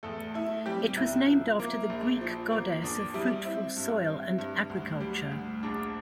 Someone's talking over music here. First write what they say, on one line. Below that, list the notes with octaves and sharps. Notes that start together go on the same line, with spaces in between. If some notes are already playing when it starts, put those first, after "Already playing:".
It was named after the Greek goddess of fruitful soil and agriculture.
E2 A3 A4
A3 E4
G3 C4 G4
C2 E4
F3
A#3
A#1
F3
A#3
E2 D4
G3 E4
C4 E4
G2
C4
G2
D2
G3
D2
A#1 D4